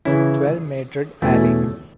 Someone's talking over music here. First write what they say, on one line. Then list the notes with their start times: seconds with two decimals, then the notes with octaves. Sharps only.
Twelve Madrid Alley.
0.05 C#3 E3 C#4 E4
1.22 E2 B2 A3 C#4 E4